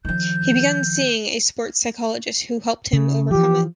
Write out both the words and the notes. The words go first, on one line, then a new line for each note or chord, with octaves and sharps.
He began seeing a sport psychologist who helped him overcome it.
D#3 F3 G6
C#3
E3 F3 G4